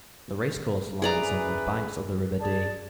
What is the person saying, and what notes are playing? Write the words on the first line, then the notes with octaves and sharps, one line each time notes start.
The racecourse lies on the banks of the River Dee.
E3 C#4 G#4 B4 D5 A#5
D4 G#4 A5